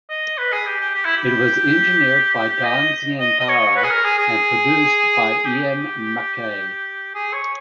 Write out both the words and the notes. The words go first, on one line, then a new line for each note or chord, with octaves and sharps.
It was engineered by Don Zientara and produced by Ian MacKaye.
D#5
B4
G#4
G4
G4
G4
E4
G4
D#5
D#5
D#5
C#5
B4
G#4
A#4
G#4
G#4
G4
G#4
C#5